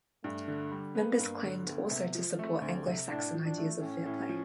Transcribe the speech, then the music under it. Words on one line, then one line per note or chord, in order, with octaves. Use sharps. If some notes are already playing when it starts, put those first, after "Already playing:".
Members claimed also to support Anglo-Saxon ideas of fair play.
G2 A3
D3
G3
A#3 B3
G2
D3
D2 B3
C3
F3
A3 C4
D2
C3
A2 D4
F3
D4
A3
A2 C#4
A2
F3